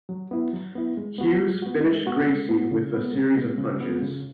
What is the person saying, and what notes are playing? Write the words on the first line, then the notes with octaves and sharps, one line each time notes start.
Hughes finished Gracie with a series of punches.
F#3
B3 E4
F#3
B3 E4
G#3
B3 F#4
G#3
B3 F#4
G#3
B3 F#4
G#3
B3 F#4
C#3
G#3 B3
C#3
G#3 B3
C#3
G#3 B3
C#3